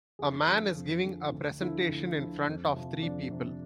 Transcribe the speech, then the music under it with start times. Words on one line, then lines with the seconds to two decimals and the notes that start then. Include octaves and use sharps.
A man is giving a presentation in front of three people.
0.19 F2 G#4
0.47 D3 F3
0.75 F2
1.04 D3 F3
1.32 D2
1.60 D3 F3 E4
1.89 D2
2.18 D3 F3
2.46 F2
2.74 C3 F3
3.02 F2 D4
3.31 C3 F3